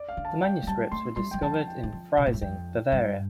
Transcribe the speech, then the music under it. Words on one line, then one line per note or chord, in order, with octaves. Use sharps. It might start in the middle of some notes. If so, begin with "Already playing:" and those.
The manuscripts were discovered in Freising, Bavaria.
Already playing: D5
F5
D3
A5
G5
A3
G3 A5
A3 C6
G3 C6
G3 G5
F3 A5
G5
D3
F3
C3
A2
G2
F2 G5
G2